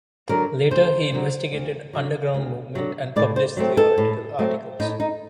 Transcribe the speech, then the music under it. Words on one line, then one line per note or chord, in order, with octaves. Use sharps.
Later he investigated underground movement and published theoretical articles.
D3 F#3 A#4
D2 C5
D3 F#3
D2
D3 F#3
D2
D3 F#3
A2 D5
C5
F#3 A3 C4
A4
A2
F#3 A3 C4
A2 D#4
D#4